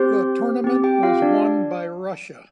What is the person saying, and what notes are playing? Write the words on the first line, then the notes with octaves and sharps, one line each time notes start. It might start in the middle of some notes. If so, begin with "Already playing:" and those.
The tournament was won by Russia.
Already playing: C4 G4 C5 C6
C4 G4
G4 G5
F4 F5
D4 D5